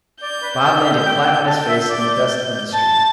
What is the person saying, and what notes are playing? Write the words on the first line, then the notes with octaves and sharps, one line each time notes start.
Bob landed flat on his face in the dust of the street.
D5 G6
B4
D5
E5
G5
G5
A5 G6
E5
D5
A5 A6